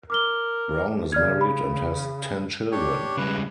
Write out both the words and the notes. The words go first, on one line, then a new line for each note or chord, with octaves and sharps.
Brown is married and has ten children.
A#4 D6 F6 G7
C#3 D5 F6 G#6
B5
D4 G4 C#5
C#3 G3 G#3 B4